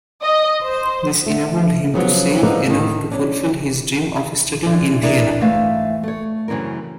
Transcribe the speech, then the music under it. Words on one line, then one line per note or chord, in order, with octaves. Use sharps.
This enabled him to save enough to fulfill his dream of studying in Vienna.
D#5
C5
A3
C#3 F3 F#3 B3
D3 F3 A#3 D#4 B4
A2 D#3
C#4 D4
D3 E3
D4 E4 G#4 A#4
G#2 E3 A3 F5
A3 C#5
F#2 C#3 E3 C4 A#4